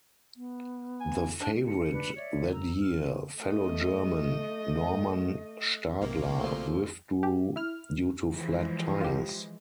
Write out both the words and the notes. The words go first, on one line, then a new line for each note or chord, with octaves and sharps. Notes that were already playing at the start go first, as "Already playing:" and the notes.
The favorite that year, fellow German Normann Stadler, withdrew due to flat tyres.
B3
G#5
D4
C#7
D4 B4
C#5 D5 E5
A#5 E6
F6
A3 D#5
B1 C3 A#3
D2 F3
G4
E4 F6
E3 F3 G#3
F4 G4